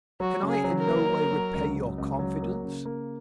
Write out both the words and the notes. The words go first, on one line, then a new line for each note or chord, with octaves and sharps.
Can I in no way repay your confidence?
F#3 F#4
C#3
G#4
F#3
A#4
A#3
F#3
F#3
C#2
F#3
C#2
F#3
A#3
C#3
A#3